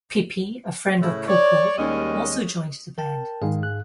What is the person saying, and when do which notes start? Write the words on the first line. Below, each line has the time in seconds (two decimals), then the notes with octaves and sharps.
Pipi, a friend of Pulpul, also joined the band.
1.01 A2 C#3 E4
1.28 C#5 D5
1.77 D#2 G3 G#3 C#4 D#5
2.98 A#4 G5 A5
3.42 G#2 D#3 G#3 D#4 G#4 F5
3.63 F#6